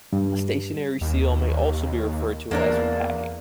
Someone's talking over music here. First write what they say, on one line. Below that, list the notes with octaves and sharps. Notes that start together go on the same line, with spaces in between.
A stationary seal may also be referred to as 'packing'.
G2
D#2
E2 A#3 D4 A#4